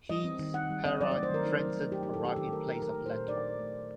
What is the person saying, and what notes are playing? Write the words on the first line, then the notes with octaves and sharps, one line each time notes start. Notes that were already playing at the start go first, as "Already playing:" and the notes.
Heinz-Harald Frentzen arrived in place of Lehto.
G3 D#5
C4
D#3
D#4 F#5
G3
C4 D#5
F#3 D5
D5
A3
C5
D#3 A#4
D#4
F#3
A3
A3 G4
G4
D#4
A4
D#3 G4
D#3 G4
A3 A#4
D#4 A#4
F#3 A#4
A3
C5
A#2
D#4 D5
F#3
A3
A3